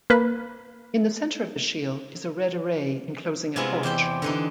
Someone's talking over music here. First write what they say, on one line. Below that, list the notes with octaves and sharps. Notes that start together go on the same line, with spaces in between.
In the center of the shield is a red array enclosing a torch.
A#3 B4
C3 G#3 B3 E4 F4 G#4
E2 G4 C5 G5
D3 E3 D#4